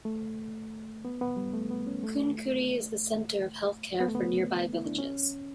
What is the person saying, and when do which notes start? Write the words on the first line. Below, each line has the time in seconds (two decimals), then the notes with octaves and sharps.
Kunkuri is the centre of healthcare for nearby villages.
0.05 A3
1.05 B3
1.21 B3
1.37 G3
1.54 A3
1.71 B3
1.87 C#4
2.04 A3
4.00 B3
4.08 A3
4.15 B3
4.73 E4
4.86 D4
4.98 C#4